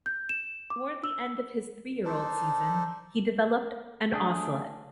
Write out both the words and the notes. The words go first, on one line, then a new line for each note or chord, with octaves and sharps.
Toward the end of his three-year-old season, he developed an osselet.
G6
E7
D6
E6
D4 D#4 A4 C5
A3 D4 G#4